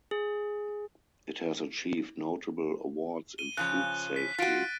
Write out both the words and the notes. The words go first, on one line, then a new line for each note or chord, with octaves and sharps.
It has achieved notable awards in Food Safety.
G#4
D#7 G7
C#3 F3 C#4 F#6
B6
F4 F#4 A6 D7 D#7